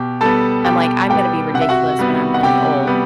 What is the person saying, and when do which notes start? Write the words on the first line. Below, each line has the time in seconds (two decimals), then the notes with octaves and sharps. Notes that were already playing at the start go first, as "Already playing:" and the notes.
I'm like, I'm gonna be ridiculous when I'm really old,
Already playing: B2 G4
0.21 G3 B3 A4 A5
0.65 B2 G4 G5
1.09 G3 B3 G4 G5
1.54 C3 F#5
1.61 E5
1.69 F#4 F#5
1.99 G3 B3
2.34 F#5
2.43 C3 G4 G5
2.87 G3 B3